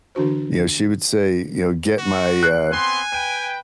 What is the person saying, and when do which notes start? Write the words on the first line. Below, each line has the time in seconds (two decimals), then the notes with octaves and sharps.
you know, she would say, you know, "Get my, uh,
0.15 D3 E3 D4 F#4 C5
1.98 F#4
2.43 F#6 C7
2.72 B3 C4 G#5 C6
3.12 B4 G5 D#7